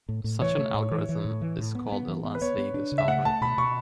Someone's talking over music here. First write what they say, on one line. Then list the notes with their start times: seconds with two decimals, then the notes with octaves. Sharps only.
Such an algorithm is called a Las Vegas algorithm.
0.09 A2
0.24 A2
0.42 E3 C#5
0.58 A3
0.74 A2
0.91 E3
1.09 E3
1.25 A2
1.42 E3
1.58 A2
1.75 B3
1.92 B3
2.08 E3
2.24 B3
2.35 B4
2.41 B3 C#5
2.58 B3
2.74 D4
2.92 C#3
2.98 E5
3.08 A3 F#5
3.25 A3 A5
3.41 B2 B5
3.58 B2 C#6